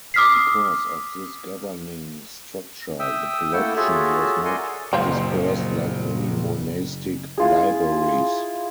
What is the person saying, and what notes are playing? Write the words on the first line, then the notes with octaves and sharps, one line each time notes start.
Because of this governing structure, the collection was not dispersed like many monastic libraries.
D6 D#6 F6 B6 C7
E5 G5 D#6 E6
A3 A#3 E4 A4 F#5 G5
F4 F#4 G#4 A4 C#5 E5
A#4 D5 F#5 G#5 C6
F#1 A#2 F3 C4 C5 D#5 F5
E4 F4 G#4